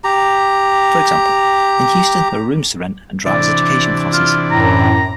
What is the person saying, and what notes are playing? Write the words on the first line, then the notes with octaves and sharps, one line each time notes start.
For example, in Houston there are rooms to rent and Drivers Education classes.
G4 A#5
C3 E3 D4 D5
F4
F#2 A2 A#5